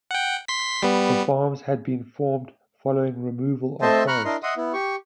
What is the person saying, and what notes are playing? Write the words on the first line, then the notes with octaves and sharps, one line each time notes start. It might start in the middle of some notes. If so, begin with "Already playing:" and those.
The farms had been formed following removal of forest.
F#5 G5
C6 B6
G3 B3
A3 C4 C5 D#5 E5 A5
A#5 B5 C#6 F6 F#6
D4 E4 A#4 D#5 C6
D#5 E5 F#5 C6 D#6
B3 E4
G4 C#6